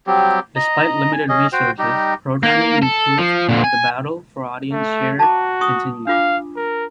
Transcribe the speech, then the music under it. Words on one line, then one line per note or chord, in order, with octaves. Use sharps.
Despite limited resources, programming improved but the battle for audience share continued.
F#3 G3 C4 G4
D#5 A#5
G#5
C#4 G#4 D#5
F#4 C5 G5
G3 D#4 G4
A#3
A4
F3
A#2 D3
G#5
A3
F#4 A5 A#5 D6
C#6 D#6
D4 F4 F5 D6
A#4